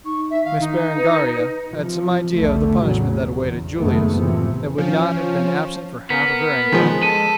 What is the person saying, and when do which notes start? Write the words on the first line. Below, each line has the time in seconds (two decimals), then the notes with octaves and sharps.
Miss Berengaria had some idea of the punishment that awaited Julius, and would not have been absent for half of her income.
0.05 D#4 C#6
0.30 E5
0.45 D#3 F5
0.60 D#4
0.97 B4
1.70 C3 F3
2.33 B1 E2 D3 A3
2.80 A1 E2 C#3 F#3
3.36 E2
3.78 F#1 B2 D#3 G#3 A3 B3
4.18 A2 C3 E3 F3
4.78 F3 C#4
6.10 B3 A#4 B6
6.72 D#3 F3 G#3
7.03 A4 D#7